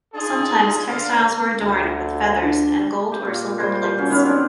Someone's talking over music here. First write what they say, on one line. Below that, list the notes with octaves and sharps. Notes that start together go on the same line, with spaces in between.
Sometimes textiles were adorned with feathers and gold or silver plates.
D4 D#4 F4 G#4
D3 C5 F5
D2
D4
G4
A#2
G3 C5
F#3 C#4
D#3 B3 C#4
C4 D4